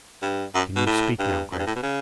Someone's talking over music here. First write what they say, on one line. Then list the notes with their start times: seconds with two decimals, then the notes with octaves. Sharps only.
"Can you speak now, Gregg?"
0.22 G2
0.55 F#2
0.76 B2
0.86 A2
1.19 G2
1.52 F#2
1.59 G2
1.67 A2
1.76 B2
1.83 C#3